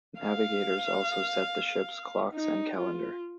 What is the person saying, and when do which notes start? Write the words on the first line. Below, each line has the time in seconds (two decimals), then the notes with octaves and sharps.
Navigators also set the ship's clocks and calendar.
0.20 F5
2.34 D#4
2.77 F4